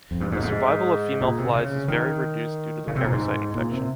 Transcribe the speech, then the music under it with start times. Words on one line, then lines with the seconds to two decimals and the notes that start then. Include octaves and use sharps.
The survival of female flies is very reduced due to the parasite infection.
0.11 F2
0.21 G2
0.32 G#2
0.43 G#2
1.21 A#2
1.38 C3
1.54 C#3
1.88 D#3
2.87 C#3
2.96 C3
3.04 A#2
3.12 G#2
3.55 A#2
3.71 C3